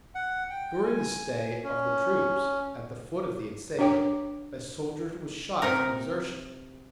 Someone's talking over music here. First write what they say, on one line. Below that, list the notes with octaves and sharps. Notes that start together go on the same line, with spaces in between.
During the stay of the troops at the foot of the Otsego a soldier was shot for desertion.
F#5
G5
G#5
C#4
D4 C#5 G5 D6
C3 D#4 A#4